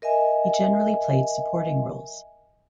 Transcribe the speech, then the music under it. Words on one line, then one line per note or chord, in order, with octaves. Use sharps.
He generally played supporting roles.
A#4 D#5 E5 G#5